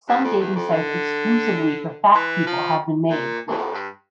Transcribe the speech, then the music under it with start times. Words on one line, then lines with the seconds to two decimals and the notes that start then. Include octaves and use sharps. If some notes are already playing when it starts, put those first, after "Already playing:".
Some dating sites exclusively for fat people have been made.
0.08 G2
0.24 F2
0.40 E2
0.55 F2
0.72 D3
2.15 E3
2.47 F3
3.10 A#2
3.50 E2
3.58 F2
3.73 G2